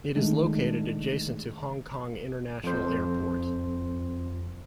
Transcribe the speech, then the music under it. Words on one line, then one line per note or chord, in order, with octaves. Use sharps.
It is located adjacent to Hong Kong International Airport.
D#3 G#3 A3 D4 D#4
F2 C5